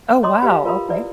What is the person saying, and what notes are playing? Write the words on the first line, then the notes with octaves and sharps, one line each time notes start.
Oh, wow, okay.
C#5 D#5 A#5 C6 D6 D#6
G4 B4 E5 F5
F4 A#4 F5 A#5 B5 D#6
E4 B4 D5 E5